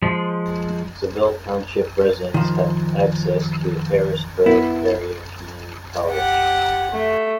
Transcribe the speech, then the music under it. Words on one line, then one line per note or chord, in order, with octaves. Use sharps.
Saville Township residents have access to Harrisburg Area Community College.
F3 G#3
D#3 F3
B3 E4
G4 F#5
A3